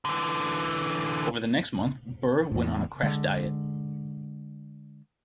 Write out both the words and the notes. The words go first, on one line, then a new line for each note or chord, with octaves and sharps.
Over the next month, Burr went on a crash diet.
D3 E3
E2 A2
D3 G#3